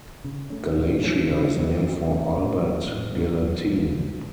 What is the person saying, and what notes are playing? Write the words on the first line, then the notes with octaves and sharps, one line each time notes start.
Galatia is named for Albert Gallatin.
C#3
A3 C#4
A#2
F3 A3 C#4
C#3
F#3 A3
F2
C#3 A3 C#4
A2
F#3 A#3 C#4
A2
F#3 A#3
F#2
F3 A#3
F2